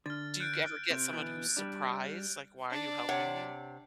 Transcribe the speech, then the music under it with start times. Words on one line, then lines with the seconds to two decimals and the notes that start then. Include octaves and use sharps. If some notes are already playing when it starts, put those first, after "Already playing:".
Do you ever get someone who's surprised? Like, "Why are you helping me?"
0.06 D3 F6 A6
0.40 F#6 G6 D7
0.90 C3
1.13 B2 E3 B3
1.57 G3 D4
2.70 D4 D5
3.09 C3 C#5 F#5